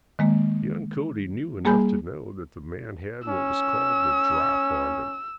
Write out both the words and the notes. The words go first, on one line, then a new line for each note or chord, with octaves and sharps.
Young Cody knew enough to know that the man had what was called the "drop" on him.
D#3 G#3 A#3
G3 A#3 G#4 G#5 B5 G6
C#4 E6